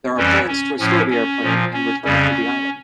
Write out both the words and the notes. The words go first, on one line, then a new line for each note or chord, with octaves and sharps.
There are plans to restore the airplane and return it to the island.
F2 E3 G3 C#4
C#4
A2 F3 C#4
C#4
A#2 F3
C#4
F2 C#3 G3 C#4